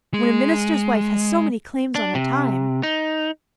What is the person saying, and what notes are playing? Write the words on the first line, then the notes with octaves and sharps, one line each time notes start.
When a minister's wife has so many claims on her time!
G#3
D4
C3
D#4